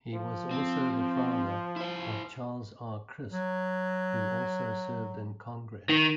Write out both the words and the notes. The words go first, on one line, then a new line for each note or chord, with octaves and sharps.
He was also the father of Charles R. Crisp who also served in Congress.
F3
C4
E4 C5
F#3
D#3